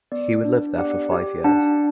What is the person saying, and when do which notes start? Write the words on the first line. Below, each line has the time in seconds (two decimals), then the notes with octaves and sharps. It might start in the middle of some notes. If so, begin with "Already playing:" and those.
He would live there for five years.
0.12 B3 D5
0.45 D4
0.78 G4 D5 F#5
1.11 G4
1.44 D4 F#5 A5